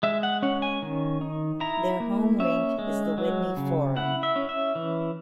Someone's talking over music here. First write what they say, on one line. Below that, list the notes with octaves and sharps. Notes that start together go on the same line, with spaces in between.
Their home rink is the Whitney Forum.
G#3 E5
F#5
C#4 F#5
G#5
D#3
D#4
E4 A#5
A#3
C#4 E5
G#3
F#3
C#3
E4 F#5
E5
C#4
E5
E3